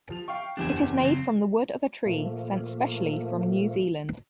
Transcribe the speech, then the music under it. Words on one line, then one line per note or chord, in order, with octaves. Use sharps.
It is made from the wood of a tree sent specially from New Zealand.
F3 F7
F5 G5 C#6
F#1 E2 D4 G4 C5 G#5
C#3 F#3 C4
A#2 F3 A3 A#3